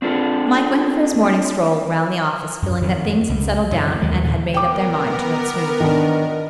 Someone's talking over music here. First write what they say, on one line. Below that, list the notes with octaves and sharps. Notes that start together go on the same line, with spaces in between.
Mike went for his morning stroll round the office feeling that things had settled down and had made up their mind to run smoothly.
C4 D4 F4 A4
F#2
F2 D#3 F#3
C#2
F#2 C#3 E3
D#2 D#3 F#3 G#3
D#2 A#2 D3 D#3
B3 A#4 G5 D6
D#3 D4